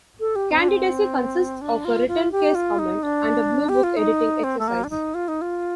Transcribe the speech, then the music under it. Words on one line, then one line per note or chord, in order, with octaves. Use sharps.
Candidacy consists of a written case comment and a Bluebook editing exercise.
A4
G4
C4
D4
C4
D4
F4
F4
G4
F4
D#4
D4
G4
F4
D#4
C4
A3
A#3
D4
D#4
F4
D#4
F4